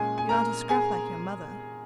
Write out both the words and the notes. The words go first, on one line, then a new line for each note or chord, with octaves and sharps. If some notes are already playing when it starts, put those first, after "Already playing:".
You aren't a scrap like your mother.
Already playing: A#2 G#3 C#4 G#4 G#5
G#5
A#4 A#5
G#4 G#5